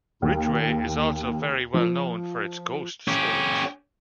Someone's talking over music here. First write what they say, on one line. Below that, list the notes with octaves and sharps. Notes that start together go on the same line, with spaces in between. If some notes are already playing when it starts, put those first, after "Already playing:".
Ridgeway is also very well known for its ghost stories.
D#2
F3
C#4 G4